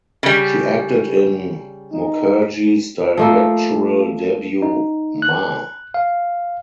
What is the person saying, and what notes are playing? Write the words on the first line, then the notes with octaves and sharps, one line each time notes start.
She acted in Mukherjee’s directorial debut "Maa".
C#3 G3
D#4
F3 A3 A#3
D#4
F#6
F5